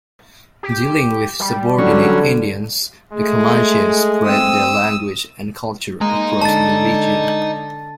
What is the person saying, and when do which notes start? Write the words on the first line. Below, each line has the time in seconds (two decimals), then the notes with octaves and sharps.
Dealing with subordinate Indians, the Comanche spread their language and culture across the region.
0.63 G4
1.40 G3
1.78 D3 F#3 C#4
3.13 G#3 A3 G#4
4.27 C4 D#6 E6
6.01 G#3 A#3 D#5 A#5
6.42 D3 A5 A6